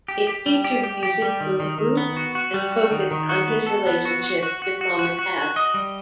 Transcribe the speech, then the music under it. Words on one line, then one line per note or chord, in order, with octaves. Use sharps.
It featured music from the group and focused on his relationship with Mama Cass.
G4
G4
G3
G4
G4
G4
G3
D#3
D#3
D#3
B3
F#4
F#4
G3
F#4
D#3
D#3
F#4
B3
A4
B3
F#4
F#4
F#4
F#4
F#4
F#4
F#4
F#4
D#5
G3